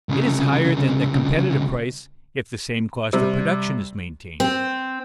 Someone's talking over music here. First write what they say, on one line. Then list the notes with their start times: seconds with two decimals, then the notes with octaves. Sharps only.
It is higher than the competitive price if the same cost of production is maintained.
0.09 C2 C#3
3.13 C3 G3
4.40 C4